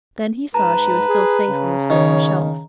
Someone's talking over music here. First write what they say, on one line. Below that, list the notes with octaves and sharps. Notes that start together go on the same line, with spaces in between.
Then he saw she was still safe on the sloping shelf.
G#2 B4 A5 A#5
G#4
C#3
D#3 C#5